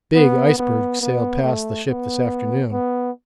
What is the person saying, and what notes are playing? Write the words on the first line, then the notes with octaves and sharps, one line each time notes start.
A big iceberg sailed past the ship this afternoon.
B3
B3
B3
A3
B3
B3